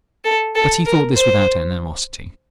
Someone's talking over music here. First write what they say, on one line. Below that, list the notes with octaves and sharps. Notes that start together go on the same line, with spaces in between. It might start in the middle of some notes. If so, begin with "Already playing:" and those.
But he thought this without animosity.
A4
A4
A#4
C5